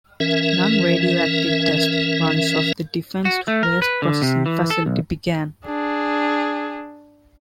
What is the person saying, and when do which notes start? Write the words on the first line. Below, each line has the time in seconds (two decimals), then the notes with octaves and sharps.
Non-radioactive test runs of the Defense Waste Processing Facility began.
0.20 E3 C#4 A#4 E5
3.25 F#4
3.48 A3
3.63 A#4
3.82 B4
4.02 D3
4.22 C3
4.46 E3
4.70 A4
4.86 B1
5.66 D4 G#4